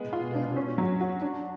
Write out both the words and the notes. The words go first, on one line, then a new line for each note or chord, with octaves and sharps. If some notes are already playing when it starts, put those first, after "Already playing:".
It never reopened.
Already playing: G#3 B3
F4
D4
C#4
F#3
F#4
D4